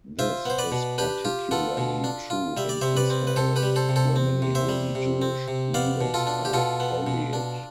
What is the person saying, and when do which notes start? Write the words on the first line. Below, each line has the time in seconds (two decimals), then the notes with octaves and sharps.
This is particularly true in Israel were many holy Jewish leaders are buried.
0.19 F4 C5 E5
0.45 B3 C5
0.58 B4 D5
0.72 B2
0.98 D4 G4 B4
1.25 F4 G4
1.51 B3 F4 A4
1.77 B2
2.04 D4
2.30 F4
2.57 G3 E5
2.69 D5
2.81 C3 C5 E5
2.97 B4 D5
3.10 C4
3.27 B4
3.36 C3 A4 C5
3.56 G4 B4
3.63 G3
3.76 A4 C5
3.89 C3
3.96 A4 C5
4.16 C4
4.42 C3
4.55 C5 E5
4.69 G3
4.95 C3
5.22 C4
5.48 C3
5.74 B3 D5 F5
6.01 B2
6.14 F4 A4
6.27 D4
6.45 G4
6.53 B2 F4 A4
6.80 B3
7.07 B2
7.33 D4